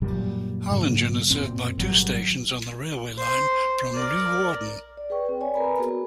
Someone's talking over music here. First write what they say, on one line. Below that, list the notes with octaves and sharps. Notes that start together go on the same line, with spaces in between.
Harlingen is served by two stations on the railway line from Leeuwarden.
F#2 A#2 F#3 G3
G#2 C#3 F#3 A#3
F#2 A#2 C4
G#1 F#3 G3
C5
A#4 D5
D5
G#4 B4 G5 C#6
C4
C#5 D5 G#5
A#4 B4 G#5 A#5 B5
B3 F#4 G#4